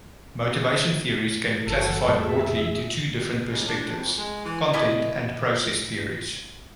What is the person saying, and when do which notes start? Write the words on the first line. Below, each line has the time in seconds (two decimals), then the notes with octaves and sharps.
Motivation theories can be classified broadly into two different perspectives: Content and Process theories.
1.67 F#1 F#4 A4
2.07 F2 A2 G3 G#4 E5
3.49 C#2
3.68 D4
3.95 F2
4.17 G#3
4.45 E3
4.73 C#4 E4 D5 D#5